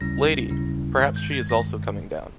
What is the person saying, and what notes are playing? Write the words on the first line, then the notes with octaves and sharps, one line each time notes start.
Lady! Perhaps she is also coming down...
D#2 C#3 G3 C#4 E4 A#6
D#2 C#3 G3 C#4 E4
G2 D#3 G#3
G6
G#6
G2 D#3 G#3 A#6